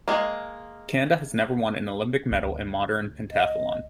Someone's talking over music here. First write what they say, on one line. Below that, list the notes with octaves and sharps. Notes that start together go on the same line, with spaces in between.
Canada has never won an Olympic medal in modern pentathlon.
G#3 A#3
D2
D#5